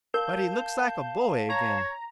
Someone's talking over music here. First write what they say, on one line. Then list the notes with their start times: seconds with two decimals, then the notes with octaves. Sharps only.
But he looks like a boy again!
0.14 A#4 F5 A5 G6
1.50 C#5 A#5